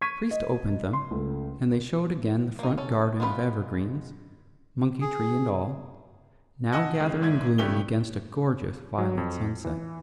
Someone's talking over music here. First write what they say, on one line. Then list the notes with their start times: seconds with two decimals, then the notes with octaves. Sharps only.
The priest opened them, and they showed again the front garden of evergreens, monkey-tree and all, now gathering gloom against a gorgeous violet sunset.
0.01 C#6 G#6 B6 D#7
0.31 D#5
0.93 C6
1.10 C#2 A3
2.59 A#3 D#4
2.78 C#4 A4
3.20 G#3 B3 F4 A4 B4
5.01 G#4
6.73 D#5 F#5 G#5 A5 E6
7.00 F2 C#3 E3 G#3
7.21 E2 G#2 E4 G#6
7.58 G2 C#3 A3 G4 E5 G7
8.98 F#3
9.18 F2
9.65 E3